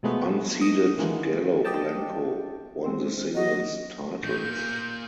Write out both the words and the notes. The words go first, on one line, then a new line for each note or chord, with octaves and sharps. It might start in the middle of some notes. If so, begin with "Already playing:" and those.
Unseeded Galo Blanco won the singles titles.
B2 F3 G#3 A3 B3 A4
D#5
D#3 E3 G#3 A#3 B3
G4 D5 D#5 G5 A5
G#3 C4 C5
F#3 F#4 D#5
A2 E3 G6
A#2 A#3